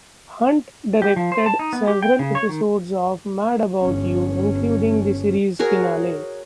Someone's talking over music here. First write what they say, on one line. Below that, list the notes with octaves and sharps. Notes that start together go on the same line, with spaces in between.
Hunt directed several episodes of "Mad About You", including the series finale.
G4
F3
C5
A5
D#4
B3
G4
G5
C#3
C#5
D#3
G1 C#4
F#4 G#4 A#4 C#5